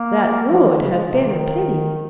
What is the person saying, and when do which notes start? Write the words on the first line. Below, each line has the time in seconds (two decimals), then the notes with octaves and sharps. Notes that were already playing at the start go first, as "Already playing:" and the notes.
That would have been a pity.
Already playing: A#3
0.50 F3
0.65 D#3
0.80 C#3
0.91 G#3
1.11 C3
1.27 D#3